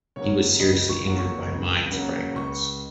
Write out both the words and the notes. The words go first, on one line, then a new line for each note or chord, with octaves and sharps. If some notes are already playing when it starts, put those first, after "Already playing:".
He was seriously injured by mines fragments.
C#3 F#3 A#3 C#4 C#5
C#2 D#5
C#6
C#3 F#3 A#3 C#4
C#6
C#2
C#3 F#3 A#3 C#4
C#2 C#6